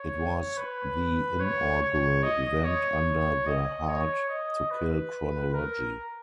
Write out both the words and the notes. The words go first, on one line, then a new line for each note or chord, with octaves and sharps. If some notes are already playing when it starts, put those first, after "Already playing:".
It was the inaugural event under the Hard To Kill chronology.
Already playing: C#5
B4
C#5
C#5
D#5
C#5
D#5
C#5
D#5
B4
A#4